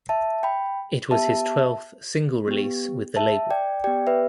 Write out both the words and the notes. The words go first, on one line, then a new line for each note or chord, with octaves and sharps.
It was his twelfth single release with the label.
E5 A5
G5 B5
B3 G4 E5 A5
B3 G4
E5 A5
D5 G5
B3 G4 D5 G5
B4 E5